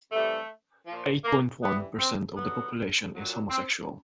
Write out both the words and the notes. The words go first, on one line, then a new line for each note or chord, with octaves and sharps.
Eight-point-one percent of the population is homosexual.
C3 E3 G3 A3
A#2 F3
A#3
G2 E3 G3 B3
C4
G2 D3 F#3 B3
A#2 F#3
C4